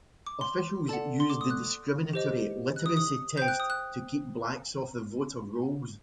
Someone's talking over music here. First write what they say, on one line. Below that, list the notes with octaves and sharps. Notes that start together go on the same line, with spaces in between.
Officials used the discriminatory literacy test to keep blacks off the voter rolls.
D6
C6
A4 D5 F#5 A5
C6
D6
D#6
F#6
G4 C5 D#5
F#6
D#6
D#6
C5 G5 G6
F#6
D#6
F#6